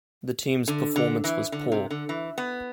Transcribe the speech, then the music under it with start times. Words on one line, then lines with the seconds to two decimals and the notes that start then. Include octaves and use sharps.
The team's performance was poor.
0.68 D3
0.96 D3
1.24 E3
1.52 D3
1.72 C3
1.91 D3
2.09 E3
2.38 B3